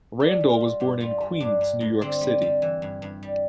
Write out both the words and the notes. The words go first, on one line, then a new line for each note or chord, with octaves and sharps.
Randall was born in Queens, New York City.
G3 D4
G3
F4
G3
G2 G4
G3 F4
G3
G2 D4
G2
G2
D3 C4
G3
G3
E3
G2
G2
G3